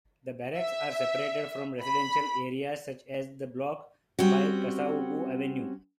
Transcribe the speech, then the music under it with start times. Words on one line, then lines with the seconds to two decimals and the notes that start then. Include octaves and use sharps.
The barracks are separated from residential areas such as the "Block" by Kasavubu Avenue.
0.57 E5
1.80 B5
4.19 G3 C4 C#4 F#4